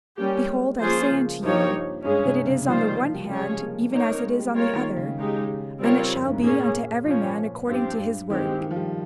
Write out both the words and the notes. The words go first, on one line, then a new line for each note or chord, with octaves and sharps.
Behold, I say unto you, that it is on the one hand even as it is on the other; and it shall be unto every man according to his work.
G3 A#3 C#4 G4
G#3
F3 A#3 C#4 F4 G#4 C5
C#3
G2 F3 A#3 D#4 G4 C#5
G2 G#3 C#4 G#4
C3
C#3
D#3 F3 G3 A#3 F4 C5
F3
G3
G3
G#3 C#4 G#4 C#5
A#3
A#3 C4 D#4 A#4 C#5
C4
G#3
G3
G3 A#3 F4 A#4 C#5
D#3
C#3
G#3 D#4 G4
G3 C4 F4 A#4 C#5
F2
G2
G#2
A#2 A#3 C#4 G#4
F3 A#3 C#4
G2 F3 C4 G4
G2
D#3 G#3 C4 G4
D#3
D#3
F3
G3